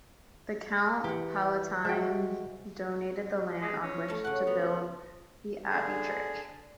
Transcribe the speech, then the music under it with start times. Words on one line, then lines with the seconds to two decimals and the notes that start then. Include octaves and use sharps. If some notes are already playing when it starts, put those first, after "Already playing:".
The count Palatine donated the land on which to build the abbey church.
1.04 E3 G4 F#5
1.85 G#3 F#4 C5 E5 G5
3.62 G#3
3.83 C#4
4.08 A3 E4
4.24 C#3 F#4 F#5
4.47 B3 A#5
5.70 D3 G#4